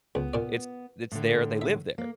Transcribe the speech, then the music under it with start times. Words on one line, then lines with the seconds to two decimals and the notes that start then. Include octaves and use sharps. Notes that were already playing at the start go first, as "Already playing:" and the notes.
It's it's their they live there.
0.15 C#2 B3
0.34 A#2 D5
1.12 A2 D3
1.61 E5
1.98 A#3